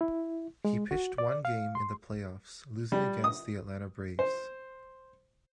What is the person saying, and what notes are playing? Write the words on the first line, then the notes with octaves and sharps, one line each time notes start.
He pitched one game in the playoffs, losing against the Atlanta Braves.
E4
G#3
F#4
D5
F5
C6
G3
D#6
C5